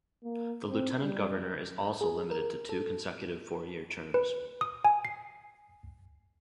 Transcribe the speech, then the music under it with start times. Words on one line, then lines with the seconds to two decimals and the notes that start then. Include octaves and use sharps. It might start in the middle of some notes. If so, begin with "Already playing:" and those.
The Lieutenant Governor is also limited to two consecutive four-year terms.
0.24 A#3
0.69 C4
1.02 G3
2.01 G#4
2.31 A#4
2.69 A4
4.14 B4
4.61 D#6
4.85 G#5
5.05 C7